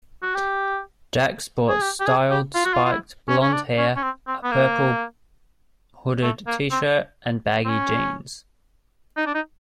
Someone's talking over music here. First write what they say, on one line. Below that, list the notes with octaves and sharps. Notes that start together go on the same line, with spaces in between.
Jak sports styled spiked blonde hair, a purple hooded T-shirt and baggy jeans.
F#4
G4
G#4
G4
G4
G#4
G4
F4
F#4
F4
F4
E4
C#4
C#4
D4
C#4
C#4
C4
C4
B3
A#3
A3
A#3
C4
C4
C#4
D#4
D4
D#4